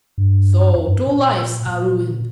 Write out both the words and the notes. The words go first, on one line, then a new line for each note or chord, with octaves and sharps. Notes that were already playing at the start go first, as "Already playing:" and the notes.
So two lives are ruined!
G2
F2
G2
A#2
A#2